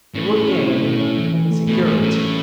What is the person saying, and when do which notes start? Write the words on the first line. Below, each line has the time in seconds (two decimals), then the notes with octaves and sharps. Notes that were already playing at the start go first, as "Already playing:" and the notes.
"It would gain in security."
0.15 A2 C#4
0.32 E4
0.49 C#4
0.66 E4
0.82 B2
1.00 C#4
1.17 E3
1.34 E3
1.51 A3
1.67 B2 A3
1.85 G#2 A3
2.02 A2 C#4